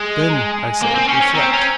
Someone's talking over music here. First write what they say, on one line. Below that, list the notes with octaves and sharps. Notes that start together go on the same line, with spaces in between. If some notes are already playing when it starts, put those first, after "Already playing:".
Then, I said, reflect.
Already playing: G#3
A#5
G#5
A#3
C4
C#4
C#4 G#5
C4 A#5
C#4